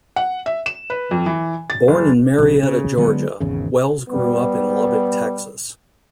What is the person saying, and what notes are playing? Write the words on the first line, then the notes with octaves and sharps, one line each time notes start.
Born in Marietta, Georgia, Wells grew up in Lubbock, Texas.
F#5
E5
E7
B4
F2
E3
A6
F#1
B1 C#3
C#3
D3 F#3 G#3 B3
G#1 E2 C#3
G3 B3